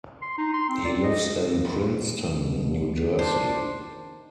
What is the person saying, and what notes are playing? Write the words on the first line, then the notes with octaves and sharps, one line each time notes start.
He lives in Princeton, New Jersey.
C6
D#4
C6
C4
D5
D#5
B2
D4 C5
D#3